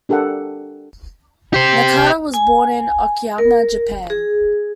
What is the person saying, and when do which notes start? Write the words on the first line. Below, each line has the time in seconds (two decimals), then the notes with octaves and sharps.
Nakata was born in Okayama, Japan.
0.09 D4 G4 A4 A#4 F#5
1.54 G4 C5
2.34 G#5
3.38 A#4
4.10 G#4